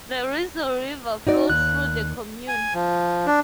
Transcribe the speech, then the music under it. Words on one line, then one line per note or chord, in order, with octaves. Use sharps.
The Risle river flows through the commune.
D#4 F#4 D5
D#2 F#6
G#5
F3
D4